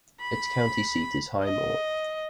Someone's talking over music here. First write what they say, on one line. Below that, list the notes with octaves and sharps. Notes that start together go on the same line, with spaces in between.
Its county seat is Highmore.
B5
D#5